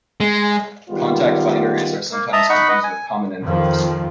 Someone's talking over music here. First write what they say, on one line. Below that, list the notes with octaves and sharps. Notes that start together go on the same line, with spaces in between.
Contact binaries are sometimes confused with common envelopes.
G#3
D#3 G3 G#3 B3 F4
A#3
D#5 E5 A5 A#5 D#6
D#4 F#5 B5 C#6
B4 D#5
G#5
F2 D#3 F3